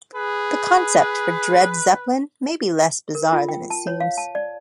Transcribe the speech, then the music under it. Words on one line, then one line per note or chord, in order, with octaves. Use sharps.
The concept for Dread Zeppelin may be less bizarre than it seems.
G#4 B4
A#4
F4
G5
A5
C#5
F5
A5
D5